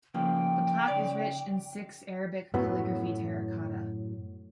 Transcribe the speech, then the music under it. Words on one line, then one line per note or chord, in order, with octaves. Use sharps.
The plaque is rich in six Arabic calligraphy terracotta.
C#3 F3 A#3 G5
C#3 D5
F#2 A2 F#3 B3